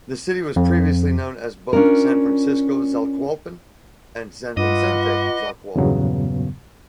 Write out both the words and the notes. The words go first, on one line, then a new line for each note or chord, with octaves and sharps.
The city was previously known as both San Francisco Zacualpan and San Vicente Zacualpan.
F2
C#4 D4 F4 A#4
G2 F4 B4 D#5 F#5 D6
E2 G2 A#2 C#3 F#3 B3